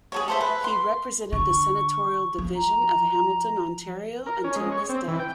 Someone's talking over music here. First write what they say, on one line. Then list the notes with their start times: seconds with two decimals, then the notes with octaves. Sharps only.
He represented the senatorial division of Hamilton, Ontario, until his death.
0.12 G#4 A4 C#5
0.28 A4 C5 E5
0.41 B4
0.64 C6
1.32 D3 C#6
2.38 F3
2.56 A#5
4.26 A#4
4.44 C#4
4.56 G#3
4.72 C#5
4.89 C4
5.08 E3
5.19 G5